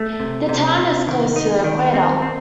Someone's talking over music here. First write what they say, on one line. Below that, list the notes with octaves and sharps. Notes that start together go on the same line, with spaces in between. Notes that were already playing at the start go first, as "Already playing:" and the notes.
The town is close to the Equator.
Already playing: A3
C3
C3
C3
D#3
D#4
D#3
C4
C4